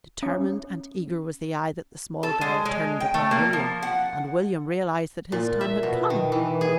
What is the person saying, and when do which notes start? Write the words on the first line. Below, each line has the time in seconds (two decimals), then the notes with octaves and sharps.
Determined and eager was the eye that the small girl turned upon William, and William realised that his time had come.
0.23 C#4
2.23 A4
2.41 G#3
2.65 G#3
3.00 G5
3.14 A3
3.31 A#3
3.53 F3
3.83 F#5
5.32 A#2
5.61 E5
5.83 B2
6.10 D#3
6.32 E3
6.61 G#4